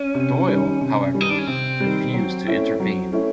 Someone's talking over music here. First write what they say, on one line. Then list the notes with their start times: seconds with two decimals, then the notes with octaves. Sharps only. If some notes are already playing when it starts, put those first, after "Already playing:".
Doyle, however, refused to intervene.
Already playing: C#4
0.14 C3
0.48 D#3 G3
0.81 C3
1.14 D#3 G3
1.21 D#4
1.30 D4
1.38 C#4
1.47 C3 C4
1.80 D#3 G3
2.13 F#3
2.47 A3 C#4 E4
2.80 F#3
3.13 A3 C#4 E4